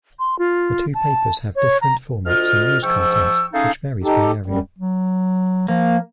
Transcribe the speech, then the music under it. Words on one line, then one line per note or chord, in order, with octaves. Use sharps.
The two papers have different formats and news content which varies by area.
C6
F4
A5
C#5
A#5
D2 F4 D#5 F6
G#2 F3 G5 C#6 E6
A3 C#4 D#4 G#4 A4 F5
D#4 G4 A4
F#2 G3
F#3
F3 A#3